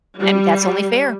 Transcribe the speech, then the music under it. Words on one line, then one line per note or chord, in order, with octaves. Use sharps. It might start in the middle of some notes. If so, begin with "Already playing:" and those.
And, that's only fair.
G3